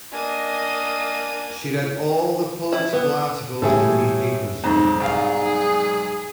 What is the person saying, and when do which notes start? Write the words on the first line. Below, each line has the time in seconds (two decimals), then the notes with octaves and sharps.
She read all the political articles in these papers.
0.12 A#3 D4 D#5 G#5 D#7
2.73 E4
2.93 B3
3.62 A2 E3 G3 E4 G#4 A4
4.64 B1 F2 G#2 C5 A#5
5.00 C2 G#4 F5